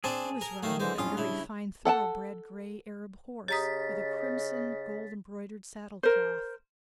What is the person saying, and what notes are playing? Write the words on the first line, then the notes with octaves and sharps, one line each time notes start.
He was riding a very fine thoroughbred gray Arab horse with a crimson gold-embroidered saddlecloth.
C4 D4 G#4 A5
A#4
D#3 A3 F5
D3 E3 G#3 C5
F2 A2 G3 C#4 D4 F4 D#6
C#3 E4
A4 F#5 G5 A5
C#3 G4 D#5 A#5 D#6 A6 B6
A#4 C5